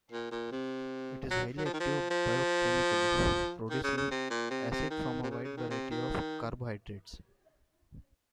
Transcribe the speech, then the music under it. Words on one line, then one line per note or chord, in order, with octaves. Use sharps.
It is highly active biochemically, producing acid from a wide variety of carbohydrates.
A#2
A#2
C3
F#3
F#3
F3
D#3
F3
F3
D#3
C#3
C#3
C3
A#2
C3
C3
D#3
C3
C#3
C#3
D#3
C3
D#3